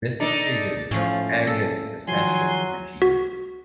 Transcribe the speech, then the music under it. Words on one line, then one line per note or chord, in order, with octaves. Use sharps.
This decision angered the Fascist regime.
D4 D#4 A4
A2 F3 C#4
A4
D#3 F3 F#3 G#5 C6
F#4